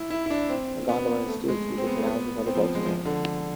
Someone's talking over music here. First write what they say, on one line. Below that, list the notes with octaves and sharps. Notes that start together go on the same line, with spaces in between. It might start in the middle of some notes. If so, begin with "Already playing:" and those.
A gondola is steered through the canals with other boats around.
Already playing: E4
E4
E4
D4
C4
B3
A3
G#3
C4
B3
A3
B3
C4
F3
G#3
F3
D3